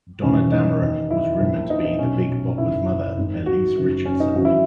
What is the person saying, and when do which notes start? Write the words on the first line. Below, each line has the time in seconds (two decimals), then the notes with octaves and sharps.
Donna Dameron was rumoured to be The Big Bopper's mother, Elsie Richardson.
0.22 E1 D#2 C#3 E3 C#4
0.52 D#4
0.82 D#2 D#3
1.11 E4
1.40 A#1 A#2
1.70 D#4
1.85 D#4
1.99 B1 B2 C#4
2.58 F#1 F#2 D#3 E4
3.17 G#1 G#2 D#3
3.46 F#4
3.76 F#1 F#2 D#3
4.06 C#4
4.20 D#4
4.35 G#1 F#2 C#3 E3 F#4
4.45 E4